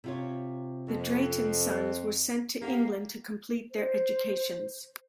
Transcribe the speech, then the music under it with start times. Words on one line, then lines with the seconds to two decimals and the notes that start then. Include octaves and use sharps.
The Drayton sons were sent to England to complete their educations.
0.04 C3 F4 C#5
0.88 F2
2.61 A#3 G4 F5 F#5
3.71 C5